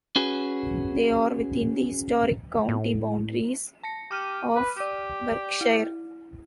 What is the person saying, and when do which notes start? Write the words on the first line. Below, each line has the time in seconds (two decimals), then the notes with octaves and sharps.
They are within the historic county boundaries of Berkshire.
0.16 C#4 F#4 G#4 B4
2.69 A2
3.83 A5 A#6 C#7
4.11 G4 D6 F6 D#7
4.56 B4
4.77 G4 D5 D6
5.61 E4